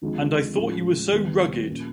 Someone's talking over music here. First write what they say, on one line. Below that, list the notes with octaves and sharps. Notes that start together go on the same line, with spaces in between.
And I thought you were so rugged!
D#2 D3 F3 G#3 C4
A2 F3 G#3 C#4
D#2 D#3 G3 B3
A#2 F3 A#3 C#4